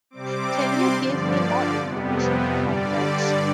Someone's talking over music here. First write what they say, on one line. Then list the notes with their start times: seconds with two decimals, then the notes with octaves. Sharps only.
Can you give me more information about that?
0.10 C3 G3 C4 D6
0.51 C6
0.93 G2 D3 F3 D5
1.76 F2 C3 G3 B3
2.59 G2 D3 G3 D5